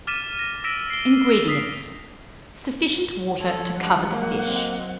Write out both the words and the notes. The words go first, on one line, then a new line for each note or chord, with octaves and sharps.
INGREDIENTS.--Sufficient water to cover the fish.
D6 F6 A6 B6 D#7 E7
A#6
E6 A#6 B6 D7 E7
C7 G7
D#6 B6 C7
F3 A4 C#5
G3 G#3 D4 F#5
F#3 A#3
C4 D#5